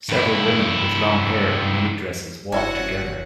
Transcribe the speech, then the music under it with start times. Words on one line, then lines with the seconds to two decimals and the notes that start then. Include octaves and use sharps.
Several women with long hair and minidresses walk together.
0.09 G2 E4
2.52 F#1 C#4 D4 E4 F#4 C5 F#5